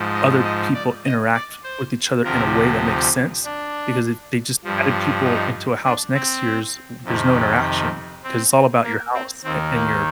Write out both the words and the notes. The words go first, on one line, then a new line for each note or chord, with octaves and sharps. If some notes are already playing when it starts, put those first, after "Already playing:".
other people interact with each other in a way that makes sense, because if they, just, added people into a house next yours, there's no interaction, 'cause it's all about your house a and your
Already playing: G#2 F3
D#5
D#5
D5
D#5
D5
C5
D2 C3 F3 A#4
D#4
D4
G2 F3
D#4
D4
C4
F2 C3 D#3
C4
A#3
C4
D#2 D#3 C4
A#3